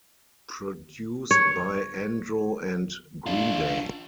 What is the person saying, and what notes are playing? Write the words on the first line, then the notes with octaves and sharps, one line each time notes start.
Produced by Andro and Green Day.
C#5
D4 F4